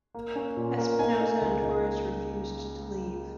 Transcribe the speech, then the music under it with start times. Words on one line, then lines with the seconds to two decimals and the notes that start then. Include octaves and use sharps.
Espinoza and Torres refused to leave.
0.14 A#3
0.36 C#4
0.57 A#2
0.78 A#3
0.99 D#4 G#5
1.21 D#4
1.41 C#2
1.62 D#4